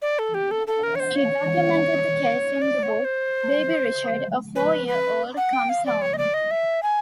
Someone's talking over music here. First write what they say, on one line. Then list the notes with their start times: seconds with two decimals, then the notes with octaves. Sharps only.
She documented the case in the book "Baby Richard - A Four-Year-Old Comes Home".
0.02 D5
0.19 A4
0.34 G4
0.51 A4
0.67 A4
0.83 A#4
0.95 C#5
1.00 C5
1.16 C#5
2.62 D5
2.83 C#5
3.05 C5
4.56 B4
4.88 B4
5.37 F#5
5.53 G5
5.69 F5
5.86 D5
6.02 C#5
6.13 D#5
6.18 D5
6.34 D#5
6.51 E5
6.83 G#5